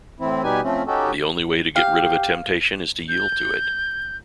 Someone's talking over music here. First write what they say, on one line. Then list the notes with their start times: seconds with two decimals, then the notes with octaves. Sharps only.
The only way to get rid of a temptation is to yield to it.
0.20 A2 E3 C4 E4
0.43 B2 G3 D#4 G4 B4 G#5
0.63 F3 A3 C4 C#4
0.87 C#4 D#4 F#4 G4 A4
1.76 G4 F5
3.08 G6